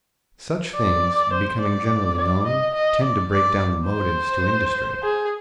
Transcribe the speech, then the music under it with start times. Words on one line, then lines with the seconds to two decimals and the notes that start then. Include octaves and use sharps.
Such things becoming generally known tend to break down the motives to industry.
0.74 D5
1.33 C5
1.61 D5
2.18 D5
2.46 D#5
2.75 D#5
3.03 D5
3.32 D5
3.88 C5
5.03 G#4